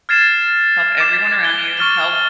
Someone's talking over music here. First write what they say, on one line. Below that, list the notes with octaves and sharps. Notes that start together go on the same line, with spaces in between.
help everyone around you, help
F6 G#6 A6 C7 E7
D6 E7
F6
G7
C#6 F6 A6 G7